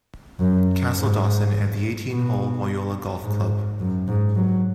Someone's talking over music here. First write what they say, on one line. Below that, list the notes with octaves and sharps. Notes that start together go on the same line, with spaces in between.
Castledawson and the eighteen hole Moyola golf club.
F#2
G#2
B2
G#2
F#2
G#2
F#3